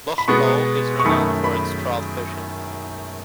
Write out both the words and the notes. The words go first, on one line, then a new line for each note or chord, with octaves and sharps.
Loch Awe is renowned for its trout fishing.
B5
B2 G#3 B3 C#6
C#6
F#2 D#3 A3 B5
B5